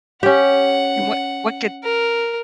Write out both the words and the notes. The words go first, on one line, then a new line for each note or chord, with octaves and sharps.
And what what could
C#4 G4 F#5
A#4